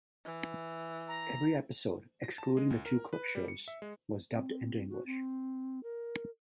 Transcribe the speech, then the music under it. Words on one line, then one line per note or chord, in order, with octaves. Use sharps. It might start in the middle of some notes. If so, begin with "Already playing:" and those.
Every episode excluding the two clip shows was dubbed into English.
E3
A#5
A#6
A5
G#3
C#2
A#4
B4
G3
C#7
E5
G#3
C4
F#4
C4
A#4